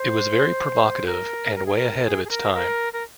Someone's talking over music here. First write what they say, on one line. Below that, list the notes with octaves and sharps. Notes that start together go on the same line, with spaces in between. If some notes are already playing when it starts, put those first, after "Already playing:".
It was very provocative and way ahead of its time.
Already playing: C5
A#4
A#4
G#4
A#4
G#4
G#4
A#4
A#4
A#4